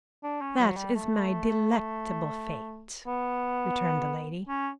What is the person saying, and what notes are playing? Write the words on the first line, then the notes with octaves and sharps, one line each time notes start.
"That is my delectable fate," returned the lady.
D4
C#4
F#3
G3
A3
B3
C#4